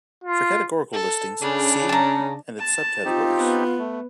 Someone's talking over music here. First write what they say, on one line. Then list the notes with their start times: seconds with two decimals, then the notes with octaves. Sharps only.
For categorical listings see and its subcategories.
0.24 F4
0.93 A4
1.42 C#3 D4
1.89 A5 A#5
2.59 A5
3.05 C4 D#4 F4 G4
3.37 B3
3.78 A3